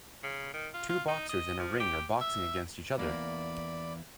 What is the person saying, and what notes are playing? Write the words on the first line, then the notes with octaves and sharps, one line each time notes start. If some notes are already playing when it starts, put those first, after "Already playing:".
Two boxers in a ring are boxing against each other.
C#3
D#3
F4
F4
D#4
D#5
F3
G4
E5
E2 A#3 D5 B5